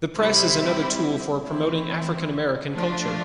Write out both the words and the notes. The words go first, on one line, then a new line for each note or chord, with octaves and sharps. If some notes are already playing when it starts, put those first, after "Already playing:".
The press is another tool for promoting African-American culture.
C3 G3 C4 E4
E3 A3 C4 E4
F3 A3 D4 F4